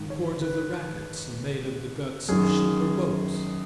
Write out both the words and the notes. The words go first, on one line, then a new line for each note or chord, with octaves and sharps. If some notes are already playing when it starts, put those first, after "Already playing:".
The cords of the rackets are made of the guts of sheep or goats.
Already playing: G#2 D#3
C#5
B4
F#2 D#3 G#4